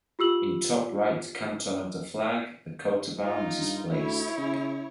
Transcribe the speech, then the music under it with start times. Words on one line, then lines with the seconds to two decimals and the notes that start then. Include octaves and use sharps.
In top right canton of the flag the Coat of Arms is placed.
0.19 F4 G4 E6 F#7
3.19 D#4 F4
3.60 G2
3.90 D2 E4 C#5
4.38 C#3